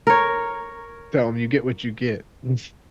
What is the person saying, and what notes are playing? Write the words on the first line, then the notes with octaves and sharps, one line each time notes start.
Tell 'em, "You get what you get." That's
A#4 C#5